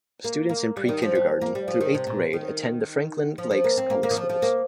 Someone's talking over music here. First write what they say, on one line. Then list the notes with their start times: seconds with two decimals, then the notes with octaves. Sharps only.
Students in pre-kindergarten through eighth grade attend the Franklin Lakes Public Schools.
0.24 A#3
0.49 A#3
0.77 G3
0.89 D#3
1.02 F3
1.15 G3
1.41 A#3
1.55 G3
1.68 F3
1.81 D#3
1.94 C3
2.07 A#2
2.33 D#3
3.38 F3
3.51 F3
3.64 A#3
3.78 C4
3.90 A#3
4.03 A#3
4.11 D#3
4.16 F3
4.29 F3
4.42 A#3